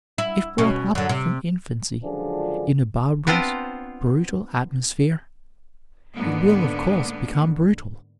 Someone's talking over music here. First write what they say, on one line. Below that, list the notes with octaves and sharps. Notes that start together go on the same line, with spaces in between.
If brought up from infancy in a barbarous, brutal atmosphere, it will, of course, become brutal.
E4
B2 C#4
F#2 D3
C3
C#2 F#2 D3 F3 D4 G#4
B3 C4 D4 F4 C5
G#2 D3 A#3 B3